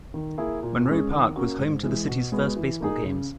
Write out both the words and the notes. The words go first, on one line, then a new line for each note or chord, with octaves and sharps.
Monroe Park was home to the City's first baseball games.
D#3
A#3 E4 G#4
A#2
G#3 C#4 G#4
D#3
A#3 C#4 F#4
G#2
E3 G#3
B2
G#3 B3 F#4
E3
A#3 D#4 G#4
C#3